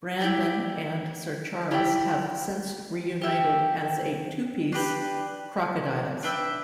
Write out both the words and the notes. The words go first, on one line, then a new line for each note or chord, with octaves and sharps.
Brandon and Sir Charles have since reunited as a two-piece; Crocodiles.
E4 G4 D5
E4 G4 D5 G5
G4 E5 G5
D4 G4 B4
D4 B4 E5 G5